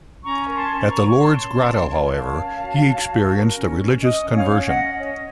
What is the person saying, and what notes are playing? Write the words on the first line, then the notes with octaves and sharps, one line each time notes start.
At the Lourdes grotto however, he experienced a religious conversion.
C#4 A#5 C#6
A#4
A5 C6
A#4
A#5 C#6
C#5
C#6
C#5 A5 C6
C#4
C#5
A#4
C#5 F5 A5
C#4
F#4
C#5
F#4
A#4
C#4
C#4
C#4 D#5
C#4
C#5 F5
C#4
D#5 F#5
C#4
C#5 D#5